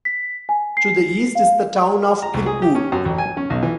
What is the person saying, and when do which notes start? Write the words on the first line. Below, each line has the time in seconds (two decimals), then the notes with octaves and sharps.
To the east is the town of Kirkwood.
0.05 B6
0.49 G#5
0.77 C7
1.35 F5
2.22 A#5
2.34 C2
2.46 G#4
2.62 G4
2.75 C#4
2.92 F#2
3.05 A1
3.18 G#5
3.37 C#4
3.50 B1
3.63 E3